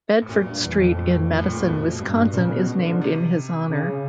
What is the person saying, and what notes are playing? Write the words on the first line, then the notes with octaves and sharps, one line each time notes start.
Bedford Street in Madison, Wisconsin is named in his honor.
A2
F#2 A#2
G2
E2
F2
A2
A2
A#2
E2
F2 B2
G2
A#2 C#3
B2
D3
C3
C#3